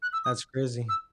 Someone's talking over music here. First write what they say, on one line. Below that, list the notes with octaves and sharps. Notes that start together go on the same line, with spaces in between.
That's crazy.
F#6
E6
D#6
E6